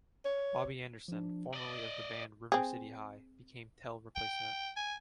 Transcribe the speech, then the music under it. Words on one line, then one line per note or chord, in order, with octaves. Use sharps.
Bobby Anderson, formerly of the band River City High, became Tell replacement.
C#5
F3 D4
D5 D#5 A6
C4 G#4
G5
G#5